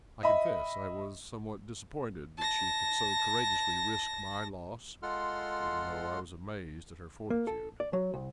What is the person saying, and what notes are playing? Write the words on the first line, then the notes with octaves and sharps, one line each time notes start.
I confess I was somewhat disappointed that she could so courageously risk my loss, even though I was amazed at her fortitude.
D#5 E5 B5
A5 A#6
G#3 F4 A4 F#5 C6 F6
A#3
A4
D5
F#3
C2